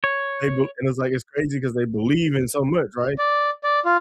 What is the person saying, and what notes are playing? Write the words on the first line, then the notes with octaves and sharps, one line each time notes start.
they b and it's, like, it's crazy 'cause they believe in so much, right,
C#5
D5
D5
F4